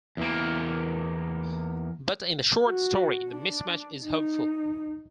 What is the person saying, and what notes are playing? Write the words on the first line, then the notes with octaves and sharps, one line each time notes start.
But in the short story the mismatch is hopeful.
E2 A#3
F#4
D4
D#4